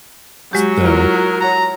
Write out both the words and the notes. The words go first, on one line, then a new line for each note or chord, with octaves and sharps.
s so,
F#3 G#3 F#4 G4
E4 F4 A#4
C#5 F#5 A#5 F#6